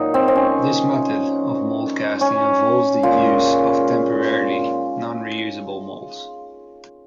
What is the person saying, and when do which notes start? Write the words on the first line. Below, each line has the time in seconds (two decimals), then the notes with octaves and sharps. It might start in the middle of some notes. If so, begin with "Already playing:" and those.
This method of mold casting involves the use of temporary, non-reusable molds.
Already playing: A#2 F#3 D#4
0.14 C4
0.28 C4
0.36 C#4
2.21 C#4
3.03 A#2 G#3 F4